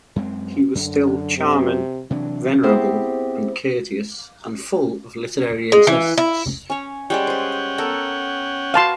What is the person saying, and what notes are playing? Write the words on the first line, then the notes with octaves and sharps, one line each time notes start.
He was still charming, venerable, and courteous, and full of literary interests.
F#2 G#3 C4
F#2 D3
C3
C3 E3 F#3 D4
B3 C4 E4 G4 G#4 C5
G#3
E3
E4
C#4 C#5
G3 G#3 C#4 D5 F#5 G5
B4 C5
B3 A4 A#4
F#4 B4 F5 A5 C6